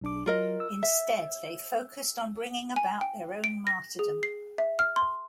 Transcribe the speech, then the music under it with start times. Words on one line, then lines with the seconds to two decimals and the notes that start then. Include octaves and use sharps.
Instead, they focused on bringing about their own martyrdom.
0.01 B1 D4 D6
0.26 F#3 F4 A#4 D#5
0.60 E6
0.83 E5
2.76 G#5
3.01 G5
3.44 D7
3.67 A#6
3.99 G#4
4.23 C7
4.58 E5
4.79 F6
4.96 C6